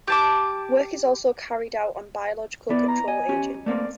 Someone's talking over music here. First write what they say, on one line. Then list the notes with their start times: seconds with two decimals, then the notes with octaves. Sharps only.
Work is also carried out on biological control agents.
0.08 G4 A5 D6
2.70 B3 E4 D5
2.88 A#5
3.08 D#5 G#5
3.29 C#4 G4
3.66 A3 A#3 C4 D5